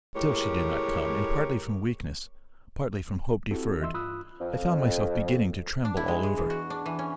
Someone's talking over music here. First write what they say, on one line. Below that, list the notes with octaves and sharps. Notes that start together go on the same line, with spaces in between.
Still she did not come, and partly from weakness, partly from hope deferred, I found myself beginning to tremble all over.
A2 G#3 G4 A#4 C#5
C4 E4 F#4 G4 A4
E3 D#5 E5 C6 E6
G2 F4 B5 D#6 E6 F#6
F2
D4
E4
G#3
G#3
E2
F#4
D4
E3
C#4